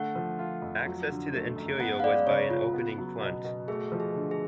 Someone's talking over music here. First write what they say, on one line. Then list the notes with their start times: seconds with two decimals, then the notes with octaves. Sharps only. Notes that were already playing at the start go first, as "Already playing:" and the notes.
Access to the interior was by an opening front.
Already playing: D3 A3 F#5
0.16 F3
0.39 F4
0.62 F2
0.86 F#3
1.10 D3
1.33 A3
1.56 F#2
1.80 B3 F#5
2.00 F5
2.03 G#3 D5
2.27 C#3 C#5
2.50 C#3 F4
2.74 B3
2.98 F#3
3.21 B2
3.44 B2
3.68 A3 G#4
3.92 F3
4.00 G#4
4.15 D3
4.31 G#4